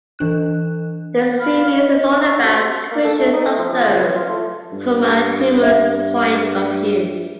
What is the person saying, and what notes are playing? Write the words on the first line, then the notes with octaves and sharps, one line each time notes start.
The series is all about situations observed from a humorous point of view.
E3 D4 F#6
F5 B5 F6
D#5
A#5 C#6 E6
F#4 G4 C5
A#3
A4
A3
D#4
A3
F3
F3
C#3
E3
F4
A3
G2
E5